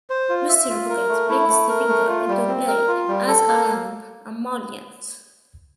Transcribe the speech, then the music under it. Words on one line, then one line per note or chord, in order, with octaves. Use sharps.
Mr. Bucket brings the finger into play as an emollient.
C5
F4
E5
F4
A#4
A3
E4
A3
A#4
A3
F4
G3
C4
A#4
F4
G3
A4
A#3